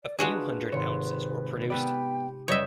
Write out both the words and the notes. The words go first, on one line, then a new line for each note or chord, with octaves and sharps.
A few hundred ounces were produced.
D5
G#3 D4 F4 F#4 G#4 B4 F6
G#1 C3 C#5 C6
B3 G4 B4 D5 G5 B5
F#1 G3 B4 C#5 D#5 E5 D#6 G6